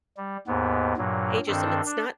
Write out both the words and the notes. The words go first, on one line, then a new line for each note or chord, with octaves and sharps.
ageism it's not
G3
D#2 G#2 B3
G2 A#2 F#3
G2 D#3 C4 D4 A4
D4